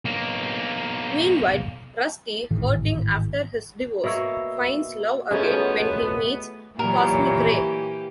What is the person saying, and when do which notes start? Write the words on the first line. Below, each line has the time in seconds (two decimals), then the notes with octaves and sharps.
Meanwhile, Rusty, hurting after his divorce, finds love again when he meets Cosmic Rae.
0.05 B1 A#3
2.50 G#1 A2 D#3 E3
4.04 B2 A#3 C#5 D#5 E5 E6
5.31 F#2 F3 A3 B3 C#4 F4 G#4 D#5
6.79 A#2 E3 F#3 A#3 G4 A#4 C#5